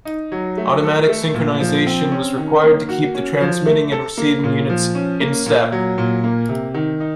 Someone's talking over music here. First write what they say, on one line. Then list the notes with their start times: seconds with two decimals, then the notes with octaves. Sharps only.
Automatic synchronization was required to keep the transmitting and receiving units "in step".
0.05 D#4
0.32 F#3
0.57 A3
0.83 A4
1.09 A3
1.34 A#2
1.60 F3
1.86 C4
2.12 C#4
2.37 D#3
2.63 A#3
2.89 F#4
3.15 C#4
3.40 F3
3.66 A3
3.92 A4
4.18 A#3
4.44 A#2
4.69 F3
4.95 C#4
5.20 A#3
5.46 A#2
5.72 F#3
5.98 A#2
6.24 A#3
6.49 C3
6.74 D#3
7.00 D#4